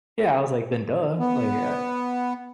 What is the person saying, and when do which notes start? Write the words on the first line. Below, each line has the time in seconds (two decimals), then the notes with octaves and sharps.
Yeah. I was like, "Then duh. Like, uh,
1.19 B3